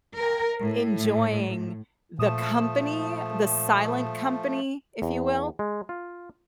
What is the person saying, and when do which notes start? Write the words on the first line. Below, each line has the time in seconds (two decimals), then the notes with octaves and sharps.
uh, enjoying the company, the silent company, if you will,
0.15 A#4
0.62 A2
2.19 A#2 F3 A3 D#6 E7
5.02 E2
5.59 G#3
5.89 F4